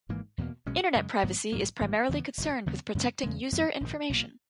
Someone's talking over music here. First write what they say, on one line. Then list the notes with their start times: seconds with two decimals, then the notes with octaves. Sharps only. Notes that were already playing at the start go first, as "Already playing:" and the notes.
Internet privacy is primarily concerned with protecting user information.
0.09 G#1 G#2 E3 A#3
0.38 E2 B2 A#3
0.66 B1 B2 G#3 C#4
0.95 F#2 C#3 G#3
1.23 G#1 G#2 F#3 B3
1.52 A#1 G#2 F#3 A#3
1.81 G#1 G#2 E3 A#3
2.09 E2 C#3 E3 B3
2.37 F#1 E2 B2
2.66 D#2 C#3 F#3 B3
2.95 F#2 C#3 G#3 B3
3.23 E2 C#3 G#3
3.52 F#2 E3 B3
3.81 A#1 G#2 D#3
4.09 B1 A#2 A#3